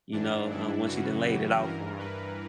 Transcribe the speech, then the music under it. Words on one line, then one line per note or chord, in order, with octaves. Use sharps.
you know, uh, once you done laid it out for 'em.
G2 E3 D4
E4
F#2 C#3 E3 F#4
G4
G2 E3 A#4
B4